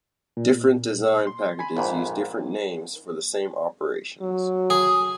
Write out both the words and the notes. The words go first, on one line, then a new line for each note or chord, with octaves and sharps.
Different design packages use different names for the same operations.
A#2
C6
G#5 B5
A#1 F2 G#2
F#3
G#4